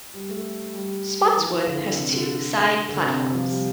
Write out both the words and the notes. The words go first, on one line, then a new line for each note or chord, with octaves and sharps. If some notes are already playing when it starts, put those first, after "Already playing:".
Spotswood has two side platforms.
G3
A3
G3
E3
F3
E3
D3
D3
C3
D3
D3
C3
C3
F3
G3